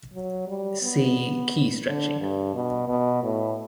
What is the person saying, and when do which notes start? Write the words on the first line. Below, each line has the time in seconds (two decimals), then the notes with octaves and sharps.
"See" key stretching.
0.13 F#3
0.48 G3
0.82 B3
1.85 D3
2.20 G2
2.54 B2
2.88 B2
3.23 A2